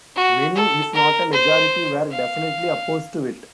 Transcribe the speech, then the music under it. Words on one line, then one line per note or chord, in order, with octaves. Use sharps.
Many if not a majority were definitely opposed to it.
F#4
A4
A#4
C5
F5